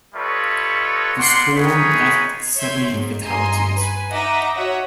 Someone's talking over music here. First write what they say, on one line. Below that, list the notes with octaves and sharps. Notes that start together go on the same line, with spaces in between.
The storm left seven fatalities.
G3 F4 A4 B4 C#5 D#5
G3 A#3 D5 F#5 C6
D#4 F4 G#4 B4 C#5 B5
C#5 E5 C6 G6 G#6
G#2
G2 D#5 G#5 A#5 C6
B4 G#5
D#4 D#5 E5 F#5 A#5 D6
F#4 C#5 D#5 E5 F#5